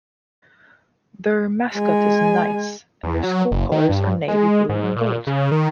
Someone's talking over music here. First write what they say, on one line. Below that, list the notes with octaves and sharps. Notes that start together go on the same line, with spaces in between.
Their mascot is the Knights and their school colors are navy blue and gold.
G#3 G#5
E2
F#3
F#1
D#3
G2
G#3
G#2
A#2
C#3
D#3